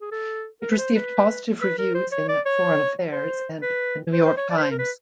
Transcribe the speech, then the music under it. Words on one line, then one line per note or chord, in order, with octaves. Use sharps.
It received positive reviews in "Foreign Affairs" and "The New York Times".
G#4
A4
A#4
B4
C5
B4
B4
A#4
C5
C#5
D5
C#5
C5
B4
C5
C5
C#5
D5
B4
C5
A#4
B4